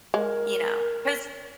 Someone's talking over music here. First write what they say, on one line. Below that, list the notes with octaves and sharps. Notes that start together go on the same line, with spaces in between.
You know, 'cause
G#3 A#4